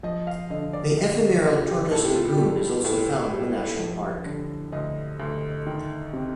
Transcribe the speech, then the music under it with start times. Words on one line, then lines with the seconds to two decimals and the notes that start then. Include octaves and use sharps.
The ephemeral Tortoise Lagoon is also found in the national park.
0.03 F3 D#5
0.27 F5
0.50 D3 D#5
0.73 D5
0.97 D2 D#5
1.20 D#5
1.44 D2 F4
1.68 G4
1.92 A2 A4
2.03 G4
2.16 F4
2.28 G4
2.38 G3
2.85 A2
3.32 G3
3.79 F3
4.26 D3
4.72 D2 D#5
5.20 D2
5.66 D#3
6.13 C3